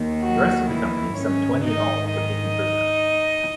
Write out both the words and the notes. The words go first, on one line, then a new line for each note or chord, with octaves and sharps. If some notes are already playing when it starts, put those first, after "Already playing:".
The rest of the company, some twenty in all, were taken prisoner.
Already playing: D#2 D#3
F#3 F#4
E3 E4
G#2 D#3 C#4 C#5
D#4 D#5
D#4 D#5